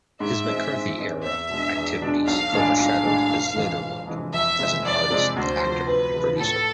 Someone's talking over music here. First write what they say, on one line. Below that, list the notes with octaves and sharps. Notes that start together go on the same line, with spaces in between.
His McCarthy era activities overshadowed his later work as an artist, actor and producer.
G#2 E5
G#3 C4
G#2
G#3 C4
E2 E5
B2 G#3 D4
E2
B2 G#3 D4
B1 F5
A2 G#3 D4 G#4
B1 F5
A2 G#3 D4 G#4
F1
F2 C3 E3 G#3
F1
F2 C3 E3 G#3
F2 E5
C3 G#3
F2 D5
C3 G#3
D2 C5
C3 F3
D2 B4
C3 F3
A2 A4